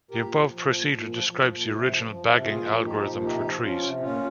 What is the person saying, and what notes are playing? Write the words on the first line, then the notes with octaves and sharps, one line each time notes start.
The above procedure describes the original bagging algorithm for trees.
A#2 G4 A#4
F3
F3
A#2
A#2
F3
F3
A#2
C3
F3
F3
C3
A#2 F4 G#4
F3
F3 D#4 G4
A#2
C3 D#4 G4
F3
F3 C#4 F4
C3
A#2 C#4 F4